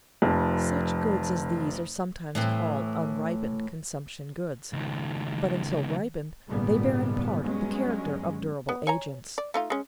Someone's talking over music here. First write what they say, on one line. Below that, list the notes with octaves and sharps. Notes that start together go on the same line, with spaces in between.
Such goods as these are sometimes called unripened consumption goods, but until ripened they bear in part the character of durable agents.
F1 F2
A2 E3 C4
C#2 D#3
G#1 A#2 C#3 G3 B3
G2 F#3 G#3 B3 C#4
B3
C#5 G#5 A#5
D5
A3 D#4 F4
G#3 C#4